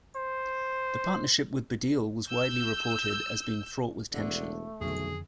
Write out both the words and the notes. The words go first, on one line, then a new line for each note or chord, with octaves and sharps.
The partnership with Baddiel was widely reported as being fraught with tension.
C5
E6 G6
E1 D3 A3
B1 F2 D3 D#3 G#4